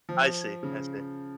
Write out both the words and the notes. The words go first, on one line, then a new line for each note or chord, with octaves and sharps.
I see, I see.
F3
C#3